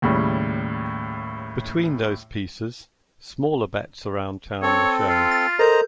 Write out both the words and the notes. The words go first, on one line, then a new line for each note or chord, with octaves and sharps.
Between those pieces, smaller bets around town were shown.
D#2 A2 C#3 G3
C4 A4 C#5
F4
A6
A4 A#4 C5 D#5 A#5 G6